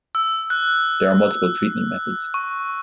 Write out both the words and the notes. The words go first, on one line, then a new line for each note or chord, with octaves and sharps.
There are multiple treatment methods.
E6
F#6
C#6